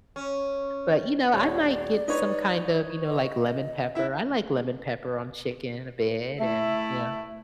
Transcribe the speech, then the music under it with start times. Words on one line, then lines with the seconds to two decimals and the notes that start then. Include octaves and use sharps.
but, you know, I might get some kind of, you know, like lemon pepper. I like lemon pepper on chicken a bit and, you know.
0.16 C#4
1.33 D#1 C#5 D5
2.08 D#4 B4 C#5
3.07 D#5
3.95 E4 E5
6.40 A3 E4